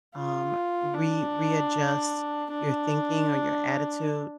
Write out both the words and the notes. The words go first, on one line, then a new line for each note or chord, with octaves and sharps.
um, re readjust your thinking or your attitude.
F4
D4
D4